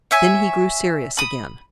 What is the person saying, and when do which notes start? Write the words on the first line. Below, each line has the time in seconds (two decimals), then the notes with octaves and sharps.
Then he grew serious again.
0.11 C#5 E5 G#5
1.17 B5 D#6